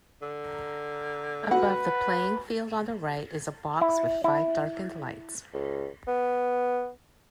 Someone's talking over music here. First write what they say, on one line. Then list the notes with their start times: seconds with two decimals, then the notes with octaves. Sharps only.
Above the playing field on the right is a box with five darkened lights.
0.22 D3
1.51 F#4 B4 F#5
3.81 E4
4.24 E4
5.54 C#2
6.07 B3